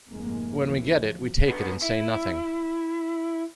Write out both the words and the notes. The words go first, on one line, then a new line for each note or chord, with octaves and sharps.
When we get it, we take it and say nothing.
F1 G#2 C3 G#3 A#3
G#1 D2 E3 F3
F3
D3 B3
E4